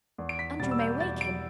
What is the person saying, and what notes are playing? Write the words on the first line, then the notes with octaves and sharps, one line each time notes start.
"Andrew may wake him."
E2
D7
B6
B2 G3 A6
E6
G6
E2 A6
D7